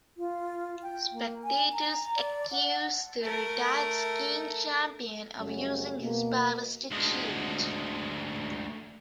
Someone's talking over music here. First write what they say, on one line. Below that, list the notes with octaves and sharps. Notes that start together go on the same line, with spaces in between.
Spectators accuse the retired skiing champion of using his powers to cheat.
F4
G5
A#3
G#5
A#5
D5
F#5
A3 A#4
F#2 C#3 G3 A3 C#4
B2 A#3
D2 G#3